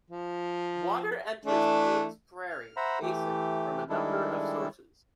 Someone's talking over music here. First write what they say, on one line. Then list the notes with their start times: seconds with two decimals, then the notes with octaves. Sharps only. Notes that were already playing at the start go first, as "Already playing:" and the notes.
Water enters Paynes Prairie Basin from a number of sources.
0.10 F3
1.45 E3 A3 D4
2.50 F6
2.76 C5 E5 F#5 A#5 B5
3.02 E3 A3 G4
3.89 D#3 G3 G#3 D4 E4 A4